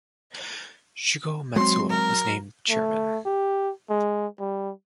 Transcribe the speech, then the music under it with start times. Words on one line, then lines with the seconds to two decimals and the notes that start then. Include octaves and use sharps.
Shugo Matsuo was named chairman.
1.56 F#3 G#3 C4 C6
1.90 A#4
2.70 A3
3.26 G4
3.90 G#3
4.40 G3